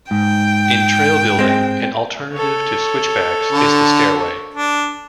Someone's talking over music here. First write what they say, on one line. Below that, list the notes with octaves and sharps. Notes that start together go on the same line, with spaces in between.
In trail building, an alternative to switchbacks is the stairway.
G#2 G5
G#3 C4
A4 C#5
D3
D4